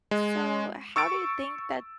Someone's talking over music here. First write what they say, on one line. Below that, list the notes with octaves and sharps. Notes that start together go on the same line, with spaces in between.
so how do you think that
G#3
C#6 E6 A6 D7